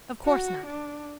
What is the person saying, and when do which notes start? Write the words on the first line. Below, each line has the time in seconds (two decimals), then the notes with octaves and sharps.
Of course not!
0.25 F#4
0.66 D4